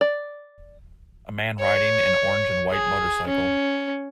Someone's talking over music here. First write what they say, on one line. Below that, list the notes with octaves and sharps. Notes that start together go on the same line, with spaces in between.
A man riding an orange and white motorcycle.
D5
C#5
G#4
C#4